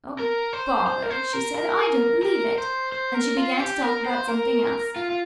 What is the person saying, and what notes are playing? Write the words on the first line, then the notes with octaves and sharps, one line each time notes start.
"Oh, bother!" she said; "I don't believe it!" and she began to talk about something else.
A#4
C5
C5
A#4
C5
A#4
A#4
A#4
C5
C5
A#4
F4
G4
A#4
C5
A#4
F4
F4